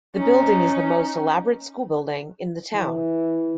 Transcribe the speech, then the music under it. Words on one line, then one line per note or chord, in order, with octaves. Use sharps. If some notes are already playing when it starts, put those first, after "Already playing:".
The building is the most elaborate school building in the town.
C#4 D#4
E3